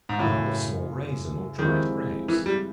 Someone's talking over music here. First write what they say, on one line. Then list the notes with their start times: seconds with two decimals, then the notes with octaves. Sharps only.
A kind of small raisins or dried grapes.
0.09 G#2
0.18 F#2 A2 C#3 E3 A3
1.59 D#3 F3 G#3 C4 E4 G4
2.28 E3
2.46 G3